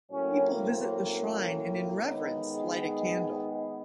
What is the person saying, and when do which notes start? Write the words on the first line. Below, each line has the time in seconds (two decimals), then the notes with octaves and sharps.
People visit the shrine and in reverence light a candle.
0.10 A2 F#3 A#3 C#4
0.58 C4
1.08 C#4
2.03 D#3 G#3 B3 D#4
2.51 G#4